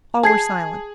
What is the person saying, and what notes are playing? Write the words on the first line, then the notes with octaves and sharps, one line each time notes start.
All were silent.
G#4 A5 G#6 C7